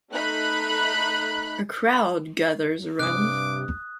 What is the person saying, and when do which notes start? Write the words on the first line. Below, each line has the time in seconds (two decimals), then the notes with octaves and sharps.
A crowd gathers around.
0.12 A3 D#4 B5 F#6
2.99 G2 C3 D6 D#6 F#6